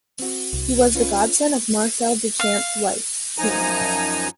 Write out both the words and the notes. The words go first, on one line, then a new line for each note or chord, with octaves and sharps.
He was the godson of Marcel Duchamp's wife, Teeny.
C4 F#4
C2
C#4 F4 B4
F5
F#2 F3 D#4 G#5 A#5